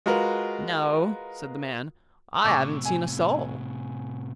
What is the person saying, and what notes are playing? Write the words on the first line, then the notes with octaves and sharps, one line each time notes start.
'No', said the man, 'I haven't seen a soul.'
G#3 F4 F#4 A#4 B4
A2 C3 C#6 D6 E6
G#5